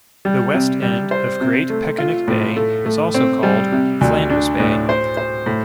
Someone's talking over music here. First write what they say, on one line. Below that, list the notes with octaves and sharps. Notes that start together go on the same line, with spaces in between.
The west end of Great Peconic Bay is also called Flanders Bay.
G3
C3
G3
C5
C3
A3
F4
A2
A3
A3
C4
G3
C3
D2
D4
A2
C5
C5
A2